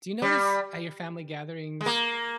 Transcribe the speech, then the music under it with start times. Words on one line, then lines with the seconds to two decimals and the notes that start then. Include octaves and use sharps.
do you notice at your family gatherings,
0.22 G3
1.81 G#3
1.86 A#3